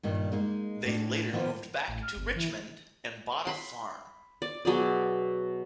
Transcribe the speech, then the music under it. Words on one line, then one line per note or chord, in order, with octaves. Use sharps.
They later moved back to Richmond and bought a farm.
G2 A#2 D#3
G#3 A#3 D#4
A2 D4
D#3 F3 A#3 B3 F4
A1
F6
G1
E3
B5 C6
D5
B2 F#3 G#4 D5